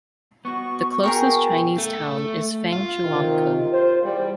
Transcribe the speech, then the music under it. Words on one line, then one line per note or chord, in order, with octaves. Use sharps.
The closest Chinese town is Fangchuancun.
B3 F#4 C#6
G#4 A#4 G5 C#6
A3
F4
C3 D#3
C5
E2 G3